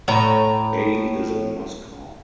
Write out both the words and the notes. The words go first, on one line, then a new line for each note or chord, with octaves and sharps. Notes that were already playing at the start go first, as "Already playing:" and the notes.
A is in Moscow.
A2 A#5